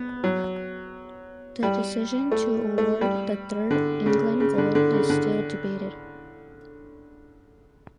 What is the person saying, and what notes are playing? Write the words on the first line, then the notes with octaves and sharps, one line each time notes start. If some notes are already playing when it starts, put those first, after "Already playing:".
The decision to award the third England goal is still debated.
Already playing: B3
F#3
G3
A3
A3
G3
D3
C#3
C#3
D3
D3
C#3
D3